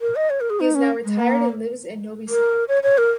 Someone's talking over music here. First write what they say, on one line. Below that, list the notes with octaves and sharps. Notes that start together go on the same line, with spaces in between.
He is now retired and lives in Novi Sad.
A#4
D#5
C#5
A#4
G#4
D#4
C#4
G#3
A#3
A#4
C#5
C#5
A#4